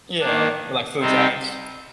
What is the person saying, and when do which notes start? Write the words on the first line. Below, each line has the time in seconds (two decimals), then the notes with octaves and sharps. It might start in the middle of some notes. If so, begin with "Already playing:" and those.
Yeah, like food drives.
0.20 D#3 A#3 D4
0.99 C3 G3 C4 D#4 G4